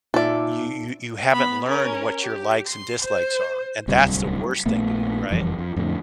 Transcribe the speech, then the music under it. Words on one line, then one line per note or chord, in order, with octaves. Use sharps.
you you you haven't learned what your likes and dislikes are, and that's the worst thing to do, right?
A#2 D#4 A4 D5 E5
B3 B5
C#4 A#4
G4
C6
C5
D1 C2 G3 C4
A#1 A#2 A3 B3
F#1 F2 E3 G3
F2
F2 A2 D3